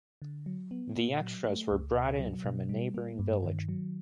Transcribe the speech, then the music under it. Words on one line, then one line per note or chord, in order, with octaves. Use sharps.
The extras were brought in from a neighboring village.
D3
F#3
B3
A#2
F#3
A3
C#2
B2
F#3
B2
G3
A#3
G2
D#3
F#3